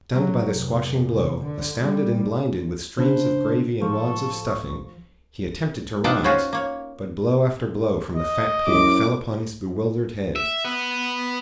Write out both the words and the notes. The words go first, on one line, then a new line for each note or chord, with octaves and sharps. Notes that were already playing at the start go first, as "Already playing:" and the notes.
Stunned by the squashing blow, astounded and blinded with streams of gravy and wads of stuffing, he attempted to rise, but blow after blow from the fat pig fell upon his bewildered head.
F#3
F1
D3
G3
C#3 D4 B4 C5
A2 F3 A4 C#6
D4 D#4 F4 F#5 G5 A5
C#4 F4 F#4 C5 C#5
A#3 C#5
D#5
F#2 E4 D6
E5
B3